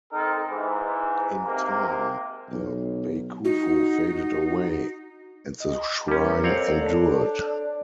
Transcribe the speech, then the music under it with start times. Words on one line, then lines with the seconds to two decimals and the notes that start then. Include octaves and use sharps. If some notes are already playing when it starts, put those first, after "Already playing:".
In time, the bakufu faded away; and the shrine endured.
0.12 C4 D#4 A4 A#4
0.49 G#2 E3
1.45 G#2 C3 A#3
2.49 B1
3.45 D#4 F#4
5.61 D#5
6.08 G3 C#4 A#4
6.44 F2 C4 C#5 F#5
6.82 D4 A4